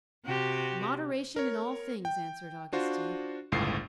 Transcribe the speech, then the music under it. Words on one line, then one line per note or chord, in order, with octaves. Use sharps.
"Moderation in all things," answered Augustine.
C3 F#4 G4
A#4 C#5
G5
D4 F4 F#4 C5
G1 C#2 A2 C#6 C7